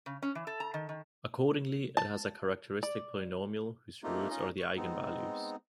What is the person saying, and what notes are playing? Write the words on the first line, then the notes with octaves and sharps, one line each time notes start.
Accordingly, it has a characteristic polynomial, whose roots are the eigenvalues.
C#3
C#4
E3
A4
A#5
D#3
D#3
A5
D5
A3 A#3 C4 D#4 F4 G4
C#4 D#4 F4 D#5
C#6
G#3 B3 C4 D#4